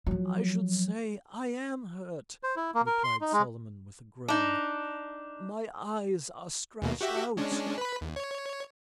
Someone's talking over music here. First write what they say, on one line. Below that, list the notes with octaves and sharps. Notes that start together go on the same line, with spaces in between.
"I should say I am hurt!" replied Solomon, with a groan; "my eyes are scratched out!"
F3 F#3
C5
E4
A#3
A#4
C6
D#4
G#3
D4 D#4
D#2 B2 A#3
F#4 G4 E5
G#3 C#4 D4
B4 B5
D#2
C#5